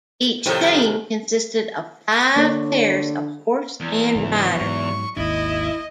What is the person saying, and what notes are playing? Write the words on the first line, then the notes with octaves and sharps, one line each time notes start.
Each team consisted of five pairs of horse and rider.
A2 C3 D#3 F3 A4
D3 A#3 C#5 D5
E2
G#2 C#3 F#3
G#2 F#3 C#6
G#1 D#2 E4 D#5